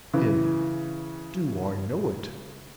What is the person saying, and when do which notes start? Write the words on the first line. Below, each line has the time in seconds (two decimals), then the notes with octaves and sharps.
HIM: Do I know it?
0.13 C#3 E3